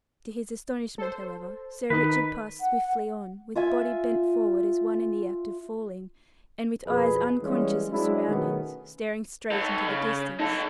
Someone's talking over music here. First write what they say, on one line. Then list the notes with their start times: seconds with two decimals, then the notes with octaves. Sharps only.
To his astonishment, however, Sir Richard passed swiftly on, with body bent forward as one in the act of falling, and with eyes unconscious of surroundings, staring straight into the distance.
0.98 A4 C5
1.90 D#3 D#4 B4
2.60 F#5
3.55 F4 E5 G#5
6.86 F2 B2 G#4 B4
7.43 E3 G3 G#3 A#3 C#4
7.92 F#3 G#3 C4 D4 E4
8.27 B2 D#3 A3 B3 C#4 G#4
9.51 D#4 A4
9.88 C#3
10.40 D#4 A4